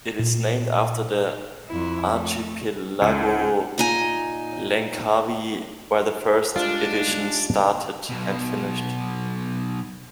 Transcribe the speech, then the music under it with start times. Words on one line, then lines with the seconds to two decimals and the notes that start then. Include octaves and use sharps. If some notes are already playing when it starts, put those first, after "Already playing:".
It is named after the archipelago Langkawi, where the first edition started and finished.
0.19 A#2
1.68 F2 E4
2.12 A3
3.02 C#2
3.78 A#2 D#4 G#5
6.56 G3 G#3 D4 F4
8.09 B1 B2